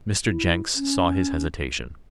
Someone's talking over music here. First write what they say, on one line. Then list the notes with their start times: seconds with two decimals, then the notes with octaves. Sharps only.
Mr. Jenks saw his hesitation.
0.25 E4
0.75 C#4